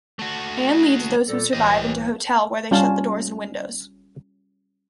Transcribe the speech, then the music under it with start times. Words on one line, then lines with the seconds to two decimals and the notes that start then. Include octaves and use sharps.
Anne leads those who survive into hotel, where they shut the doors and windows.
0.19 A3 F#4
1.27 A#2 G3 A4
1.53 C2 A2 E3 G4 D#5
2.71 G3 C#4 F4 F5 A5